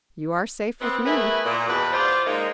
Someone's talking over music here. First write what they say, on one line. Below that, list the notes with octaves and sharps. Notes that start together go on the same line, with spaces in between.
"You are safe with me."
B3 C4
A3 B3 E4 G#4 A#4 B4
A#2
E2 B2 B4
F4 C5 D5
G#3 A#3 D#4